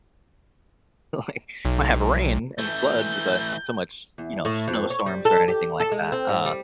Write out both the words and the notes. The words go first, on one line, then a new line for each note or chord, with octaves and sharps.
like, might have rain and floods, but not so much, you know, snowstorms or anything like that. Uh,
B1
E3 A3 G6
E2
A2
F2
C#5
G3
A4
G4
A4
G#3
C4
G#2
G3